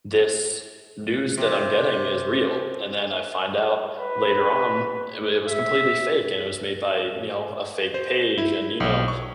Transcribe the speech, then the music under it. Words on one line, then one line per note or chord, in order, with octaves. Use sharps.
this news that I'm getting is real. And then I find out later on, it wa it was completely fake and it was made by, you know, a fake page, and you know,
C3
B4
E5
C5
E4
B1
C#6